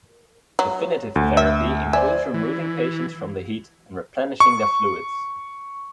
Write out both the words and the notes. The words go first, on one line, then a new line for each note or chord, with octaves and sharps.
Definitive therapy includes removing patients from the heat and replenishing their fluids.
F#3
D2
E5
C5 D5 E5 G#5
E3
C#6